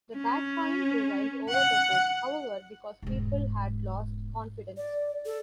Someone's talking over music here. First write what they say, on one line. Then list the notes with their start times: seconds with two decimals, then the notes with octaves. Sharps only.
The bad coin prevailed over the good, however, because people had lost confidence.
0.17 C#4
1.50 F#5
3.02 E1 G#2
4.77 D5
5.26 A4